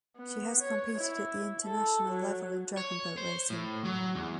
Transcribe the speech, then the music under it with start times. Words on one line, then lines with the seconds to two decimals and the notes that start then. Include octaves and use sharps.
She has competed at the international level in dragon boat racing.
0.17 B3
0.61 C#5
0.99 E4
1.65 A4
2.08 F#3
2.77 C#5
3.18 C5
3.50 A2
3.85 F#3
4.15 E2